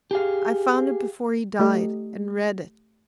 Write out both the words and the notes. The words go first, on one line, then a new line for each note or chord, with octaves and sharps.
I found it before he died--and read it.
G4 G#4 F5
A3 G4 D#5